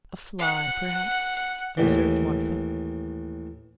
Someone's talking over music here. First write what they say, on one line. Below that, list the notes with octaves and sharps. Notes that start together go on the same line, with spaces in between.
"A fly, perhaps," observed Marfa.
F#5
D#2 A2 E3